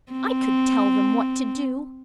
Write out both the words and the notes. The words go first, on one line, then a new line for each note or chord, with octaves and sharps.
"I could tell them what to do."
C4